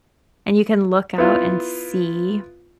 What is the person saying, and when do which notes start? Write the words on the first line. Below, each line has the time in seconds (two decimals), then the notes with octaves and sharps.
and you can look out and see-
1.18 B3 E4 F4